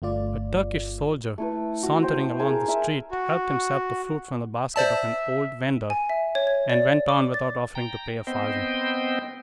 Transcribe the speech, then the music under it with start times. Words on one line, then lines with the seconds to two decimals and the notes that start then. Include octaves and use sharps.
A Turkish soldier, sauntering along the street, helped himself to fruit from the basket of an old vender, and went on without offering to pay a farthing.
0.02 G1 A3 F4 D5
1.38 A3 E4 B4
1.83 F#4
2.02 C5 G5
2.39 G#4 A#4 F5
2.68 A#4 E5 G#5
3.11 F#4
4.76 C5 D5 E5 A5
5.90 G#5
6.09 E5
6.35 C#5
6.47 C#5
6.70 D5
7.09 D6
7.34 A6
7.75 G5 A#5
8.27 B3 C4 C5 D#5 G5